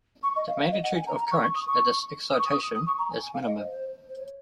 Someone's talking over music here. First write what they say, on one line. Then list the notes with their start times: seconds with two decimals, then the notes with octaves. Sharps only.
The magnitude of current at this excitation is minimum.
0.23 C#6
0.36 D#5
0.47 F5
0.59 F5
0.71 D#5
0.83 F#5
0.95 G#5
1.07 A#5
1.19 A#5
1.31 C#6
1.43 C#6
1.54 D#6
1.67 C#6
2.33 D#6
2.39 C#6
2.50 D#6
2.74 D#6
2.86 C#6
2.98 A#5
3.10 G#5
3.22 G#5
3.34 F5
3.46 D#5
3.58 C5
3.70 C5
4.09 C5
4.18 C#5